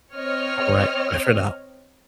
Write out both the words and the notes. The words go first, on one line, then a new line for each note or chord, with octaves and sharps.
All right, bye for now.
C4 C#5 D#5 F6